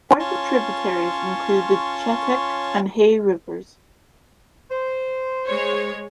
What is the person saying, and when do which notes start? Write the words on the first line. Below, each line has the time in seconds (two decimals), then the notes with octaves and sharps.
Important tributaries include the Chetek and Hay Rivers.
0.19 C#4 F4 C#5 A5 C6 C#6
4.70 C5
5.47 G#3 C#5